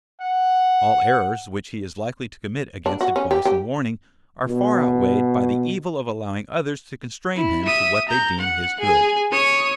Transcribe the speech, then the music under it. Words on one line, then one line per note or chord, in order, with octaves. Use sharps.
All errors which he is likely to commit against advice and warning, are far outweighed by the evil of allowing others to constrain him to what they deem his good.
F#5
D4
F#4
C#4
G4
G4
B2
E4
E5 D#6
A#5 G6
F#5
G#4 G#5
C#5 D#6